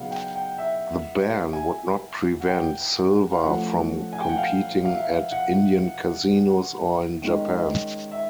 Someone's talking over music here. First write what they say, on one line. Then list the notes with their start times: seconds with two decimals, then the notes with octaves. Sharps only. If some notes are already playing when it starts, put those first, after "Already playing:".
The ban would not prevent Silva from competing at Indian Casinos or in Japan.
Already playing: C#3 F#3 B3 D#4 F5 F#5
0.11 G5
0.35 G5
0.58 E5
1.53 G#5
2.40 F#5
2.48 G5
3.32 F5
3.42 F3 A3 C#4 F#5
4.13 G#5
4.21 G5
4.29 F#5
4.37 F5
4.85 F5
4.95 E5
5.04 F5
5.32 F#5
7.22 D#3 G#3 C#4
8.12 E5